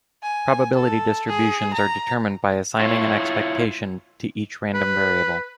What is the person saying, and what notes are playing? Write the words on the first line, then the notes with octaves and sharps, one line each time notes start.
Probability distributions are determined by assigning an expectation to each random variable.
G#5
A4
G#4
A#5
E4 F4 C#5
B4